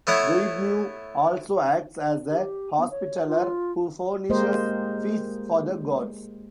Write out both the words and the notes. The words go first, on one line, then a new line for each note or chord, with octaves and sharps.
Goibniu also acts as a hospitaller who furnishes feasts for the gods.
A3 B3 E4 C#5 F#5
G4
B3
C#5
F4
G#3 A#3 G4 A#4 C5 D#5